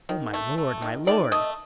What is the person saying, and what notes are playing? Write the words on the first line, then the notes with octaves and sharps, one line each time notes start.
"Oh, my lord, my lord!"
D#3
A3
A3
D#3
D#3 D5
A3 D#5